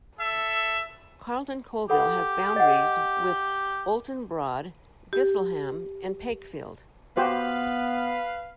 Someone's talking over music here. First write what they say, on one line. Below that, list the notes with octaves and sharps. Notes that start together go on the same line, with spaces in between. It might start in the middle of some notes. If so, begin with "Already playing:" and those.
Carlton Colville has boundaries with Oulton Broad, Gisleham and Pakefield.
A4 E5
G4 A4 F#5 B5
D#5 F#5
G4
B3 F#4 G4 B4 C5 F5